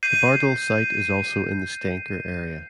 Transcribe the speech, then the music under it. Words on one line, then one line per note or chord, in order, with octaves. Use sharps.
The Bardal site is also in the Steinkjer area.
G6 C7 D#7